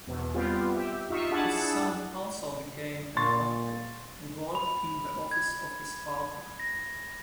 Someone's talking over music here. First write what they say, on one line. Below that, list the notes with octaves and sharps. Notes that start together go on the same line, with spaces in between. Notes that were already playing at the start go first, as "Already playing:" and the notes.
His son also became an architect and worked in the office of his father.
E2 B2
G3 B3 C4 F4 G4
G4 E5
D#4 F4 E5 C#6
D4 E4 G#4 F#5 A5
A#2 C6 C#6 A6
B5
G#6
A#6